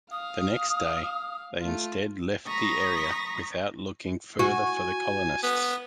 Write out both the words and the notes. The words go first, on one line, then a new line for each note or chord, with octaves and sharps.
The next day, they instead left the area without looking further for the colonists.
F5 D#6
A3 F4
A#5 B5 C#6 D#6 A#6
F#4 G#5
B3